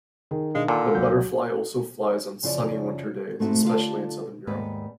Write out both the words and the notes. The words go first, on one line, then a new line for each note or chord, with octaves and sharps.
The butterfly also flies on sunny winter days, especially in southern Europe.
D#3 G#4
B2 G#3 D4 F5
A#2 D3 A5
C#2 F#3 G6
F#2 C#3 F3 E4 C#5 D5
G#2 A3 C4 D#4 E4 F#4
D3 F4 G4 B4 F5 A5
D#2 G#2 B3 B4 D5